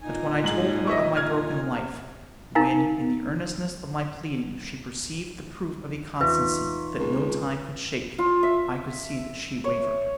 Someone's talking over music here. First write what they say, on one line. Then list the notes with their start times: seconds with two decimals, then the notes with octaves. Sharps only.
But when I told her of my broken life--when, in the earnestness of my pleading, she perceived the proof of a constancy that no time could shake, I could see that she wavered.
0.01 A#2 D#4 G#5
0.44 G#2 F3 F#7
0.87 D#5 E5 C#6
1.17 F6 G#6
1.67 C3
2.55 D#4 A#4 F5 G#5 A#5
6.21 E2 D#4 F4 B4 E5 C#6
6.98 C#2
8.18 F4
8.43 E5
9.64 C#5